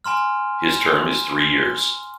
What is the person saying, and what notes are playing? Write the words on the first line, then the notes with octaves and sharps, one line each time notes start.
His term is three years.
G#5 A#5 C6 F6